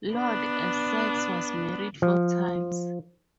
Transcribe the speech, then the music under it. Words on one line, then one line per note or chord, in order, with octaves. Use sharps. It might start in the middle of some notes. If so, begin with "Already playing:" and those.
Lord Essex was married four times.
B3 D4
F3